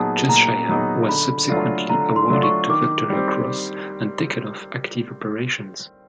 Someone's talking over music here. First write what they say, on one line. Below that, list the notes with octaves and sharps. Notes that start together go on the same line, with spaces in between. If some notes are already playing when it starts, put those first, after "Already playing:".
Cheshire was subsequently awarded the Victoria Cross and taken off active operations.
Already playing: A#2 F#3 B3 D#4 G#4 A5
A#2 A#5
F#3 B3 D#4 G#4
D3 B5
F#3 A3 D4 F4
D3 A#5
C6
F#3 A3 D4 F4
C#6
D#3 D6
G3 C4